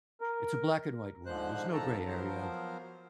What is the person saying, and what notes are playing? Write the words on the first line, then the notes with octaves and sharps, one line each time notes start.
it's a black and white world, there's no gray area,
A#4
G#2 D3 F3 G#3 C5 F#6
E2 D#3 F3 A4 A5 A#5
F3 F#3 B3 A#4 C5